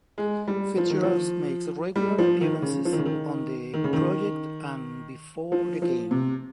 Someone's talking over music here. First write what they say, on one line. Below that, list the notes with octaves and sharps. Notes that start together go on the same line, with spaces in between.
Fitzgerald makes regular appearances on "The Project" and "Before The Game".
G#3
G3
F3
D#3
F3
G3
F3
D#3
C#3
F3
D#3
C#3
D#3
D#3
C#3
D#3
F3
F3
C3